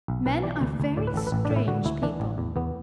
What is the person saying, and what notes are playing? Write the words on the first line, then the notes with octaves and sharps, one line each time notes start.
Men are very strange people.
B1
B1 B4
E3 D5
D2
D2
A2 D5
B4
A1 A4
B4
A1
D4
A2
E4
D3 F#4
D2 E4
E3 D4
A1
E2
E2 B3